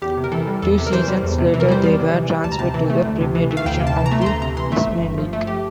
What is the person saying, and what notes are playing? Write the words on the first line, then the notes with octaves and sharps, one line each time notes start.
Two seasons later they were transferred to the Premier Division of the Isthmian League.
E2 G4
C3
A#4
E3 A4
G3
E2 A4
C3
A#4
E3 C5
G3
E2
C3
E3
A#4
G3 C5
E2 D5
C3
E3
G3
D2 A5
A#5
C3 A5
E3
A3
D2
C3
E3
A3
F5
D2 G5
C3
A5
E3
A#5
A3
C6
D2 A#5
C3 A#5
E3 C6
A3 E5
G1
G2
F3
A3
G4